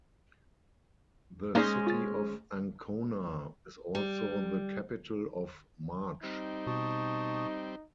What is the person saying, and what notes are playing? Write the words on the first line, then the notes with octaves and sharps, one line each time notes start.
The city of Ancona is also the capital of Marche.
G#3 A#3 C#4 D#4 C5 D5
F4 A6
G3
G3 C4 D#4
B2 A5 C#6 D#6